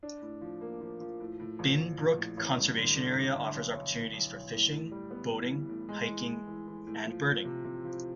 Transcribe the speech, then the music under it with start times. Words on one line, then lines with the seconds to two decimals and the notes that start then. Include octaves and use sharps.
Binbrook Conservation Area offers opportunities for fishing, boating, hiking and birding.
0.03 D4
0.22 A2
0.41 F3
0.61 A#3
0.81 F3
1.00 F3
1.20 A2
1.40 A2
1.59 A#1
1.78 A2
1.98 A#1
2.18 A2
2.37 A1
2.57 G2
2.77 D3
2.96 D3
3.15 D3
3.35 D3
3.55 B1
3.74 B1
3.93 E3
4.13 B1
4.33 B1
4.53 A2
4.72 A2
4.91 G3
5.11 B3
5.31 E3
5.50 E3
5.69 A2
5.89 G#3
6.08 E3
6.27 G#3
6.48 E3
6.67 E3
6.87 A2
7.06 F3
7.26 F3
7.45 C3
7.64 C3
7.84 F3